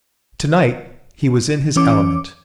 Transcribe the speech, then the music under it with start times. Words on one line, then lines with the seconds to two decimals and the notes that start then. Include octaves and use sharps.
To-night he was in his element.
1.76 E3 C#4 D6